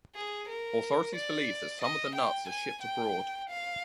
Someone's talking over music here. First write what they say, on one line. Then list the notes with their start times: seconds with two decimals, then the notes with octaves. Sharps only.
Authorities believe that some of the nuts are shipped abroad.
0.15 G#4
0.48 A#4
1.15 D5
1.82 D#5
2.16 G5
2.48 G#5
2.82 G5
3.50 F5